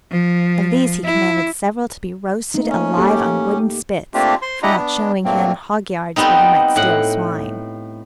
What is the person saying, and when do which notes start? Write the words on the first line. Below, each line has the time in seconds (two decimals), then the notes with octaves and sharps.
Of these he commanded several to be roasted alive on wooden spits, for not showing him hog-yards where he might steal swine.
0.12 F3
1.04 E4
2.54 A3 A#3 D#4
2.70 C#4
2.97 A#3 G4 A4
4.14 A3 A#3 C4 D4 F4 G4
4.42 C5 C6
4.63 D4 E4 G4 D#5 F#5 A#5
4.76 B3 D4
5.25 G2 A#2 F#3 A3 A#3 C4
6.16 G3 B3 C4 D#4
6.76 A2 F#5